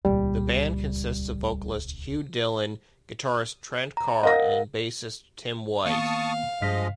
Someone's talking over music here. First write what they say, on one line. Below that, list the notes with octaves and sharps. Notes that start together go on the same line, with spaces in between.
The band consists of vocalist Hugh Dillon, guitarist Trent Carr, and bassist Tim White.
D#1 C#2 G3
A#5
A#4 D#5 F5 F#5 A#6
D#3 A#3 B3 F5 A5 C#6 D#6
G2 F3 G#3 D#5 F6 B6